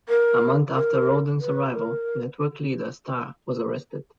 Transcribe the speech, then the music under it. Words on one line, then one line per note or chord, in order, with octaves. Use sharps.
A month after Rowden's arrival, network leader Starr was arrested.
A#4
A#4
B4
A#4